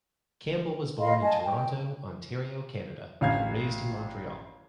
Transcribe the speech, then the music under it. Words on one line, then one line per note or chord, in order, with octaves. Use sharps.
Campbell was born in Toronto, Ontario, Canada and raised in Montreal.
D#5 F5 B5 C6
D#5 G#5 A5
G5
A1 F5 G#6